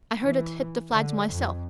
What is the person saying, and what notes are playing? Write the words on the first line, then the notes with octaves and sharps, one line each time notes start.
I heard it hit the flags myself.
E3
D3
F2